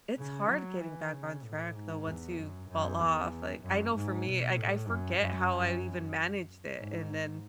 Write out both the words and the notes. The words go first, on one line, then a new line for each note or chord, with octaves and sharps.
It's hard getting back on track, though, once you fall off. Like, I know for me, like, I forget how I even managed it, and then,
C#3
F#3
E3
C#3
A2
G#2
E2
F#2
F#2
E2
F#2
G#2
B2
A2
F#2
F#2
G#2